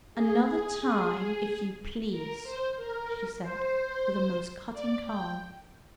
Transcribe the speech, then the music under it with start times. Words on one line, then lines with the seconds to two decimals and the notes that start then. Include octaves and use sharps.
"Another time, if you please," she said, with a most cutting calm.
0.14 G#4
2.11 A#4
2.43 C5
2.76 A#4
3.41 C5
4.73 D5
5.05 G5